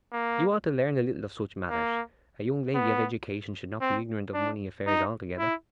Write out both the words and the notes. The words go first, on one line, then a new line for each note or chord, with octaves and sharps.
You ought to learn a little of such matters. A young lady of education should not be ignorant of money affairs altogether.
A#3
A#3
B3
C4
D4
D#4
E4